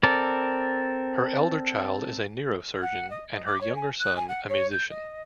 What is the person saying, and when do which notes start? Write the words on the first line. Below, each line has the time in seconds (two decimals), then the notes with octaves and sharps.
Her elder child is a neurosurgeon and her younger son a musician.
0.03 C4 A4 A#4 D5
2.82 F#5
3.10 D#5
3.32 D#5
3.45 D6
3.60 C#5
3.75 G#5
3.99 F#6
4.16 G#5
4.28 F#5
4.49 C#5
4.71 G6
4.89 D#5